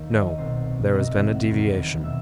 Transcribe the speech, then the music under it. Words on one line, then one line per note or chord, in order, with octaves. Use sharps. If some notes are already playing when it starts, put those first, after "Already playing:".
No, there has been a deviation.
Already playing: D#2 D#3
D#5
C2 B2 C5
C2 C3 D#3 D#5
E5
E5
F#5
F#1 E2 C3 D#3
B2 E5